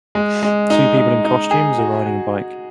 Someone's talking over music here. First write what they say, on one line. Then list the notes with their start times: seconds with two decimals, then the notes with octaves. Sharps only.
Two people in costumes are riding a bike.
0.15 G#3
0.43 G#3
0.70 D#4
0.97 D#4
1.25 D#4
1.51 G#4
1.79 F#4
2.06 F#4